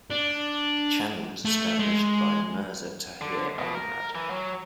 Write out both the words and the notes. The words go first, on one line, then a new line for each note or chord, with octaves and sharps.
The channel was established by Mirza Tahir Ahmad.
D4
A3
G#3
D3
B2
A#4
E3
F#3